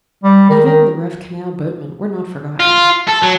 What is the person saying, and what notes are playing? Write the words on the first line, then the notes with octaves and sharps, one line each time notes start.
Even the rough canal boatmen were not forgotten.
G3
D#3
D#3
F4
A4
F#3